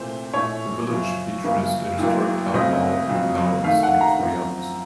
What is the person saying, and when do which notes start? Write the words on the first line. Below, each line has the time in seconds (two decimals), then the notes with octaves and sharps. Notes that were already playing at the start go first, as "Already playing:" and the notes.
The village features the historic Town Hall, now the Centre for the Arts.
Already playing: C2 A#2 A3 C4 C5
0.34 A#1 A2 A3 C#5
0.89 F#2 C#3 F3
1.44 F#2 C#3 F3 A#3
1.99 A1 A2 F#3 A#3
2.54 C#2 C#3 F#3 A3 C4 D#5
3.09 F2 C#3 F#3 C4
3.64 D#2 D#3 A3 F5
3.83 F#5
4.01 A#5
4.20 F#2 F3 C4